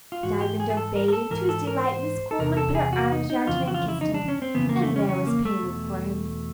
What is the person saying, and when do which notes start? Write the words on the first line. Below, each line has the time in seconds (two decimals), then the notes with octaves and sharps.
Diamond obeyed, and to his delight Miss Coleman put her arms round him and kissed him, and there was payment for him!
0.12 F4
0.23 G#2 E3 F#4
0.41 G4
0.60 G#4
0.70 G#4
0.77 A4
0.96 A#4
1.08 A#4
1.13 A4
1.30 G#2 E3 A#4
1.49 A4
1.67 A#4
1.86 C5
2.31 A4
2.39 E2 C3 A#4
2.57 A4
2.75 G#4
2.93 F#4
3.12 D#4
3.30 D#4
3.47 F2 C#3 E3 F4
3.68 F#4
3.74 F4
3.88 E4
4.01 D#4
4.14 D4
4.28 C#4
4.42 C4
4.55 F2 C#3 E3 B3
4.69 A#3
4.82 A3
4.96 C#4
5.09 C#4
5.27 A#3
5.45 A3
5.63 E2 B2